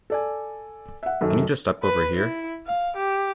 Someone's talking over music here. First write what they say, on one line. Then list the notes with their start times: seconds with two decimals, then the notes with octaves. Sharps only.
Can you just step over here?
0.10 A4 D5 G#5
1.03 E5 F#5
1.21 F#2 D#3 A3
1.82 B4
2.17 E4
2.67 F5
2.97 G4